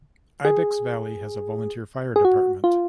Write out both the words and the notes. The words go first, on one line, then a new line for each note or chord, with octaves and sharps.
Ibex Valley has a volunteer fire department.
G#4
G#4
F#4
F4